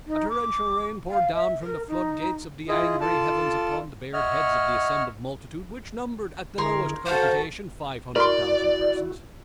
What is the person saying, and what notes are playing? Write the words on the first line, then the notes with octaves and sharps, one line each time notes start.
A torrential rain poured down from the floodgates of the angry heavens upon the bared heads of the assembled multitude which numbered at the lowest computation five hundred thousand persons.
D#4
D6
F5
E5
A#4
D#4
E4 F4 G#4 D#5
F4 A4 D5 A5
C#5 D#5 E5 F#5 F6
D3 E4 G#4 A#4 C#5 C6
F#4 A4 C5 F5
E4 F#4 A#4 D5 C6